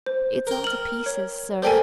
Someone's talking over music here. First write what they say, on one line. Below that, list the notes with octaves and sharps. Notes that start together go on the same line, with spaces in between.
'It's all to pieces, sir.
C5
A#4 G5
F6 F#7
C#5
G3 A3 A#3 C5 G5 G#5